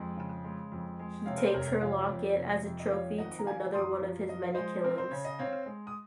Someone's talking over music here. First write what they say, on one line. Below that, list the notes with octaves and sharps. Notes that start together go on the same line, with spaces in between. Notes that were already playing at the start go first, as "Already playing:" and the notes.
He takes her locket as a trophy to another one of his many killings.
Already playing: F2 G#3
C#3
G#3
F2
G#3
C3 C#5 F5
A#4
C5
F1 A#4 C#5
F3 C#5 F5
F2
C3
F2
D#5
F3 C#5 F5
G#1 D#5 F#5
A#5
F3 F5 G#5
F#2 C6 D#6
F3
F3 D#5
F5
G#3 C5 D#5
C4 A#4
C5
C#3 C#5
D#5
C4 C#5 F5
G#3
D#6